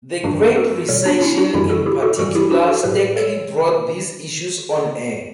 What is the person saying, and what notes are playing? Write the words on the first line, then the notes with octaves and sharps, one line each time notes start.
The Great Recession in particular starkly brought these issues on-air.
G2 E3 G3 D4 F#4
F#4 A4
B2 G3 A4 C#5
B3 D4
C#4 E4
D4 F#4
F#2 E3 G3 E4 G4
F#4 A4
E4 G4
F#4 A4
G2 E3 G3 F#4 A4
E4 G4
D4 F#4
F#4 A4
A2 F#3 G4 B4
A4 C#5